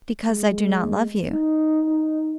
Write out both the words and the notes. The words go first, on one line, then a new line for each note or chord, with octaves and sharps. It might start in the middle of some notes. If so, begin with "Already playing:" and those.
"Because I do not love you."
G#3
D#4
D#4